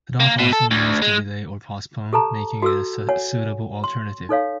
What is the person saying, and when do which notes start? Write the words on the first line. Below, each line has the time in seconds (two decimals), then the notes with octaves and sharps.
"Put off" also means to delay or postpone, making it a suitable alternative.
0.20 A#3
0.39 B2
0.53 A4
0.71 D2
1.02 G#3
2.13 G4 A4 A5 A#5
2.62 F#4 A4 E6
3.09 C#5 F#5 G#5
3.84 C6
4.29 D#4 A4 C#5 F5